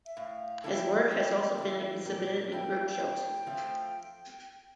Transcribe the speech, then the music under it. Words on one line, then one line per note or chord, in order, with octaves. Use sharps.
His work has also been exhibited in group shows.
E5
A2 F5
E3 A#3 E4 A4 G5 A5
E2 G5
E3 G3
A#2
G3 A#3 E4
A2
F3 A3 C4 F4